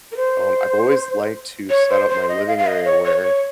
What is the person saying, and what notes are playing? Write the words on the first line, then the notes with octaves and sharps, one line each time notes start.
um, I've always liked to set up my living area where,
A#4
C5
C#5
C5
C5
D#5
F5
F5
D#5
C#5
C#5
C#5